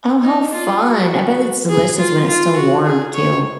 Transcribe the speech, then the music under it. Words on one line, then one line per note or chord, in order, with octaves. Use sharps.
Oh, how fun. I bet it's delicious when it's still warm too.
D#4
F4
F#4
G#4
F4
F4
F#4
G#4
C#5